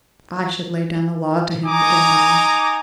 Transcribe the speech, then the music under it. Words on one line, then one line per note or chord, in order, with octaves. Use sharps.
"I should lay down the law to him--" began Dolly.
D#4 G#5 A#5 D6 D#6